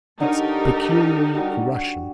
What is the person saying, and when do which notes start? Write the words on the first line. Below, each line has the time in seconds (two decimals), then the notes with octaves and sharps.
It's peculiarly Russian.
0.20 D3 D#4 G4 A4 A#4 C#5
1.35 G3 F#4